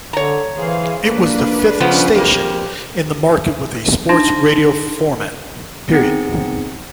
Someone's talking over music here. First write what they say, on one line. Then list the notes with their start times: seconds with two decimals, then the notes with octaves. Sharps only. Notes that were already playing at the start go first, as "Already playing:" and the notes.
It was the fifth station in the market with a sports radio format.
0.13 D3 C#5 A#5
0.56 E3 G#4 C5 F5
1.03 A#3 D4 B4
1.80 C#3 F3 B3 C#4
2.15 F2 A#3 G4
4.09 D4 D#4 A5 C6 A#6
5.91 B3 C4 D#4 G#4 F#5